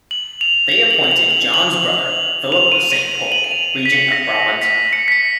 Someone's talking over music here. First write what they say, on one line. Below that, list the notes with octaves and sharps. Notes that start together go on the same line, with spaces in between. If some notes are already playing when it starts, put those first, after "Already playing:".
They appointed John's brother, Philip of Saint-Pol, regent of Brabant.
F#7
F7
F7
F#7
F#7
F7
F#7
F#7
F7
D#7
D#7
F7
F#7
D#7
F7
B6
C#7
A#6
B6
C#7
B6
C#7